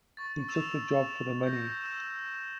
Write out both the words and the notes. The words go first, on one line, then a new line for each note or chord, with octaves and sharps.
He took the job for the money.
C#6 A6
E6 A6 E7 F7
G6 A#6
E6 E7